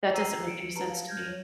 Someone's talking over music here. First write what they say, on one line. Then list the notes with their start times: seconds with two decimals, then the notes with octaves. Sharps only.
That doesn't make any sense to me.
0.11 G#4 C5 A#5 E6 C7 D#7
0.46 C#7 D7 E7
0.75 G4 B4 A5 A#5
0.88 F5
1.07 F6 G6 G#6 A#6
1.28 C#5